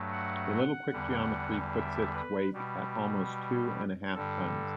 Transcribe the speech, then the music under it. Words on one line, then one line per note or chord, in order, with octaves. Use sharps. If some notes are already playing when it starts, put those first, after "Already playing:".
A little quick geometry puts its weight at almost two and a half tons.
Already playing: G2 F#3 A3
F#5
E2 D3 G3
E5
B4
B2 G3
G2 D3 G3 A4